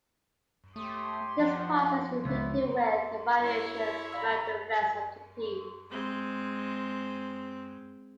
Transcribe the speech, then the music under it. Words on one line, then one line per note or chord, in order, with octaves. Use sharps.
This process is repeated with variations throughout the rest of the piece.
A3 G4 C#5 C6 D#6
F3 F#5
C#2 B3 E5
E4 C#5
D5 F5 A#5 B5 E6
G#3 C4